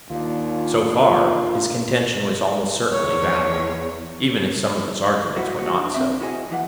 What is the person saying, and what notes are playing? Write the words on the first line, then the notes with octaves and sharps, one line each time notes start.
So far, his contention was almost certainly valid, even if some of his arguments were not so.
D#2 A#2 D4 F4
E2 C#5
G3 E4 F#4 D#5
B3 F#4
D4
C4 E5
E4 F#4 G#4 D#5
D#2 E3 F#5